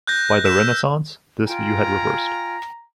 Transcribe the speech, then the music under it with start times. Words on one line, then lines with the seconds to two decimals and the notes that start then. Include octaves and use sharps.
By the renaissance, this view had reversed.
0.07 F#6 G6 A#6
0.44 E6 B6 E7
1.46 F4 G5 G#5 A#5